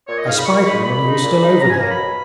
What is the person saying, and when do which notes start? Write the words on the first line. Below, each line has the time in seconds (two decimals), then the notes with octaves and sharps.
I spied him when he was still over there.
0.07 A#2 C#5
0.17 D#5
0.26 G#3 D#4 F5
0.36 B5
0.45 A#2 C#6
0.64 G#3 D#4 B5
0.83 A#2 B5
1.02 G#3 D#4
1.21 A#2
1.40 G#3 D#4
1.59 B2 A#5
1.68 G#5
1.78 A#3 C#4 A#5
1.87 B5
1.97 B2